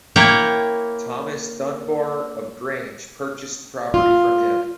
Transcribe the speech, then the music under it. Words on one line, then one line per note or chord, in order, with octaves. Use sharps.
Thomas Dunbar of Grange purchased the property from him.
A#3 E4 C#5 G5
F4